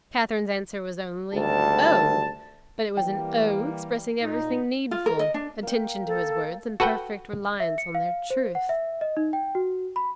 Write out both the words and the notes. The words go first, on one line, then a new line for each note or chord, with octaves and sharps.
Catherine's answer was only "Oh!"--but it was an "Oh!" expressing everything needful: attention to his words, and perfect reliance on their truth.
G#1 D2 G3 A5
E3 G3 A#3 G5
A#2 D#4
F4
A#4
D#5
D4
A#3 G5
A4
F#4 A4 B4 F#5 G5
E5
C#7
F5
C5
F#5
E5
D#5
D#4
G5
F#4
B5